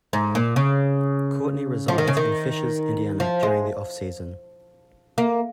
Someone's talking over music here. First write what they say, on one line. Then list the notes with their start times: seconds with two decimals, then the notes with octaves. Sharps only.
Courtney resides in Fishers, Indiana during the off-season.
0.13 G#2
0.35 A#2
0.56 C#3
1.88 F3
1.98 D#3
2.07 C#3
2.17 D#3
3.20 F3
3.43 G#3
5.18 A#3